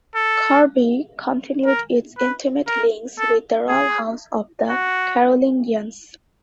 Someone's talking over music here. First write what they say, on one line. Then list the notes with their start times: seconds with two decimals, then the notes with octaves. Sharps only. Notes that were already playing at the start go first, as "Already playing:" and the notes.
Corbie continued its intimate links with the royal house of the Carolingians.
0.15 A4
1.66 A#4
2.17 B4
2.67 A#4
3.19 A4
3.68 G#4
4.69 F#4